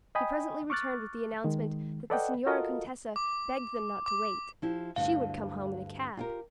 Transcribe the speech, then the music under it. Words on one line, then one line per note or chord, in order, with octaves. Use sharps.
He presently returned with the announcement that the Signora Contessa begged them not to wait--she would come home in a cab!
D#5 G5 G#5 B5 D#6
C#6 D6 F6 F#6 A6
D#3 G#3
A4 B4 D5 D#5 F#5 G5
F4 F#4 A4 A#4 D#5 F5
D6
D6
F3 E4 G4
D2 G2 D3 F5
F4 G4 A#4